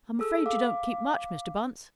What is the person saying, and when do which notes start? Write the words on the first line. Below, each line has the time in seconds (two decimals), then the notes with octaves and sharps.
"I'm afraid you don't keep much, Mr. Bunce."
0.19 G#4 A4 E6
0.46 F5 D6